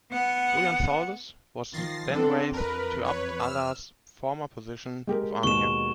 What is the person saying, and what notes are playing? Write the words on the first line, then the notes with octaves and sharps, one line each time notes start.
Buyan Suldus was then raised to 'Abd Allah's former position of amir.
B3 F#5
D#3 F3 A6 A#6 C7
B3 C4 D4 A4
F2 A#4 B4
B4 C#5
E6 F6
G#3 G4 A#4
D#2 B2 G#3 C#6 E7